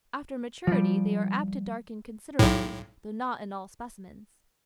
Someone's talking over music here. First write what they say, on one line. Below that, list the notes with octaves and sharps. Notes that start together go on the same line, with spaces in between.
After maturity they are apt to darken considerably, though not in all specimens.
F3 G3
B1 A2